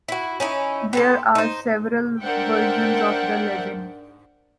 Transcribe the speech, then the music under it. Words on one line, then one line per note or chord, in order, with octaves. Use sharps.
There are several versions of the legend.
E4 F#4
C#4 D#4 E4
B3 C4 A4
D#4 C5
D4 A#4 C5 E5 F#5 G5